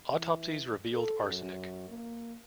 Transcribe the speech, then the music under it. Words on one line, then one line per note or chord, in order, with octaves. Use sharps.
Autopsies revealed arsenic.
E3
A4
F#2
A#3